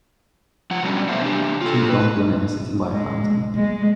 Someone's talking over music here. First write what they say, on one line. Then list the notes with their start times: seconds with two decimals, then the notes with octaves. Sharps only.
Two blond women are sitting by a fountain.
0.71 F3 F#5
0.82 B2 F#3 G3 C#4 D4
1.09 G3 A3 B3 C5 E5 F5
1.22 C3 D4 G4
1.61 F4 A4
1.90 B4
2.92 G#3
3.57 G#3